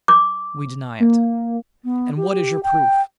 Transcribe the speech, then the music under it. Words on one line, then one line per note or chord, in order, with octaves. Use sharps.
We deny it; and what is your proof'?
D6
A#3
B3
G4
G5